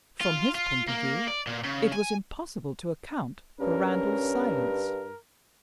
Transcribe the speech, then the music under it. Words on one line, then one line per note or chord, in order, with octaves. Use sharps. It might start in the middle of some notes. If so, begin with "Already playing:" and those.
From his point of view, it was impossible to account for Randal's silence.
F4
F4
A#3
D5
A#2
C#3
G#5
G2 C#4 A#4